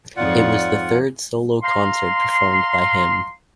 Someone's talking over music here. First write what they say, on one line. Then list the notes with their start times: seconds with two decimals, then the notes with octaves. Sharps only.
It was the third solo concert performed by him.
0.17 F2 G#2 F4 C#5 D5 F#5
1.63 F5 A#5 C6